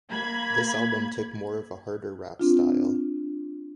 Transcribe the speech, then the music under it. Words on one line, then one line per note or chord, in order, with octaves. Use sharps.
This album took more of a harder rap style.
A#3 B5 G#6
C4 D4 F4